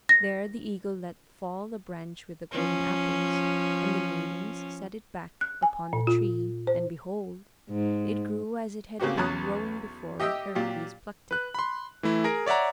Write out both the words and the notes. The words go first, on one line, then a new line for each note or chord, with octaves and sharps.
There the eagle let fall the branch with the golden apples, and the maidens set it back upon the tree, and behold! it grew as it had been growing before Heracles plucked it.
A#6
F3 C#4
F#6
G#5
A#2
F4
C5
G#2
C#3 A#3 C4 F#4 G4
B1 E2 C#4 A#5 D#6 F#6
G4 D#5 E5 G5 E6
A#2 F#3 G4
B4 F#6
B5 C6
E3 A3 E4
G#4 A#4 A#6 D7
C#5 D5 E5 F#5 A#5